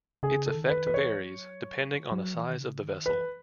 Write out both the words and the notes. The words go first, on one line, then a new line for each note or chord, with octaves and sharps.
Its effect varies, depending on the size of the vessel.
C#3 G#4
A4
D#3
B4
E3 B4
C#5
F#3
F#3
E3
D#3
C#3
D#3
E3 B4